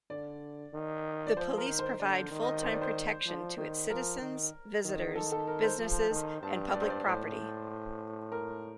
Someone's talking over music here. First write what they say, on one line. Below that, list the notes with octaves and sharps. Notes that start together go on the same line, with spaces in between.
The police provide full-time protection to its citizens, visitors, businesses, and public property.
D3 D5
D#3
D5
F3 C5
A#4
D#3
C5
D3 D5
D#3
D#5
C5
D5
C5
F3
D#3
F3 A#4
D#3
D#3
D#3 A4
A4
A#4
C5
F3
D#3
G2 A5
G2 D5
C5
D5
A2 C5
A#4